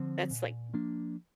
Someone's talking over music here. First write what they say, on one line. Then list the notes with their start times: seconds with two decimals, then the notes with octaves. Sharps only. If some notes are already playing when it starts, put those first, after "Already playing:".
That's, like,
Already playing: D3 F3 C4
0.31 A#2
0.73 F3 A#3 D4